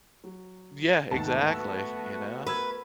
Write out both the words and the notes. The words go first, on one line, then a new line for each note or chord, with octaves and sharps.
Yeah, exactly, you know?
F#3
D#2 G#2 D#3 A3 B3 F#4 A5
B4 C#6 E6
A#4 B4 E6 G#6